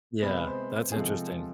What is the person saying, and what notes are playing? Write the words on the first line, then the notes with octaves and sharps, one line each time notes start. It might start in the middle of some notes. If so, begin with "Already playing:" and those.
Yeah, that's interesting.
C3 G#3 B3 B5
C5
G#4
C3 F3 G#3 C4 A4